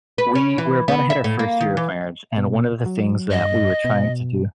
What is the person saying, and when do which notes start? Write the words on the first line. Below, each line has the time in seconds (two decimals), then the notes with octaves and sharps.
we we're about to hit our first year of marriage, and one of the things that we were trying to do
0.18 B4
0.35 C#4
0.58 E3
0.88 B3
1.10 E5
1.24 A2
1.39 A#3
1.60 D#3
1.77 E3
2.37 B2
2.86 F#3
3.31 G2 D#5
3.84 B2